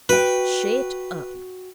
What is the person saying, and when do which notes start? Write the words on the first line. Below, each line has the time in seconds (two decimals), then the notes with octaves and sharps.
"Shet up!"
0.09 F#4 B4 G5